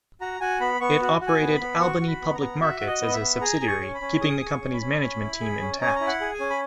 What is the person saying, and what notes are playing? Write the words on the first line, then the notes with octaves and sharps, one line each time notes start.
It operated Albany Public Markets as a subsidiary, keeping the company's management team intact.
F#4 A#5
F#4 G#5
B3 B5
B3 C#6
F#4
F#4
G#5
B3
B5
B3
F#4 C#6
F#4
B5
B3
A#5
B3
F#4 E5
F#4
D#5
B3
E5
B3
G#4 A#5
G#4
C#6
C#4
B5
C#4
G#4 D#6
G#4
C#6
C#4
B5
C#4
C#4
E4
G#4
C#4
C#4 A#5
G#5
A#5
E4
F#5
G#4
G#5
C#4
B5